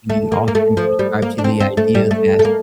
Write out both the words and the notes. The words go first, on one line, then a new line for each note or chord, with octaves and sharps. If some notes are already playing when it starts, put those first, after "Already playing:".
we often subscribe to the idea that,
A3
A#3
A#3
A3
F3
G3
A#3
D4
C4
C4
A3
G3
A3
A3
A#3